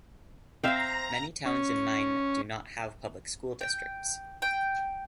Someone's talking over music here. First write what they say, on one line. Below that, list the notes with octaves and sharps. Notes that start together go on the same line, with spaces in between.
Many towns in Maine do not have public school districts.
C4 C5 E5 F5 G5 A#5 A#6
C#4
G5
G5